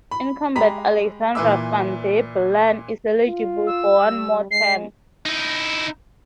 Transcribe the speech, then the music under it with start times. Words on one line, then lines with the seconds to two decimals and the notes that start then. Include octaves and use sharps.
Incumbent Alexander Van der Bellen is eligible for one more term.
0.11 B5
0.56 G#3 G4 A#5 B5 B6
1.35 A#2 E3 B4 E5 D6 E6
3.27 F4
3.67 E6
4.02 G3
4.51 G#3 C7
5.25 D#4 E4